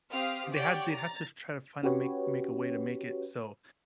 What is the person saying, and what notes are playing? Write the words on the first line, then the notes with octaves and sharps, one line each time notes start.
they had they have to try to find a make make a way to make it so
C4 G4 F5 D#6 F6
G4 C#5 D5 F#5 G5
A#5 A6
C#4 F#4 G4 B4 C#5